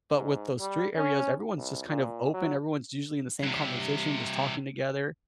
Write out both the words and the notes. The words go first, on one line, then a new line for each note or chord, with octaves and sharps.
but with those street areas, everyone's just kind of open. Everyone's usually in the same conversation, just talking talking together.
G#2
G3
C#4
C2
A#2
F#3
G2 C3